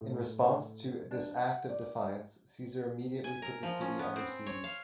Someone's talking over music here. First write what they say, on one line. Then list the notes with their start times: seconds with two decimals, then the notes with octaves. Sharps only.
In response to this act of defiance Caesar immediately put the city under siege.
0.01 A2
1.11 D4
1.37 F#5
1.69 D5
3.24 G#5
3.42 A#4
3.63 F3
3.81 C#4
3.99 B3
4.16 C4
4.46 C#5
4.64 F5